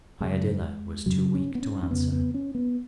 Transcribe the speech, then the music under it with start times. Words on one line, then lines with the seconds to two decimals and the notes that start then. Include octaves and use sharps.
Iadilla was too weak to answer.
0.20 F#2 C#3 G#3
1.06 F#2 C#3 F#3
1.35 C#4
1.55 B3
1.62 C#4
1.83 C#4
1.91 F2 C#3 B3
2.12 B3
2.34 C#4
2.55 B3